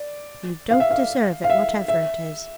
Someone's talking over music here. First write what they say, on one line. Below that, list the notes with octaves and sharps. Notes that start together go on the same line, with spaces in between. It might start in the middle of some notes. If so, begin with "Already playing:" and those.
You don't deserve it, whatever it is.
Already playing: D5
F5
E5
F5
F5
E5
E5